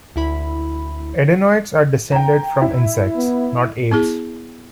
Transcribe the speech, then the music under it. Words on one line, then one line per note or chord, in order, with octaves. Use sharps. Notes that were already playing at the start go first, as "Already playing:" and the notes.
Edenoites are descended from insects, not apes.
D2 E4 B5
G5 A#5
E4
B3
B3 E4 G#4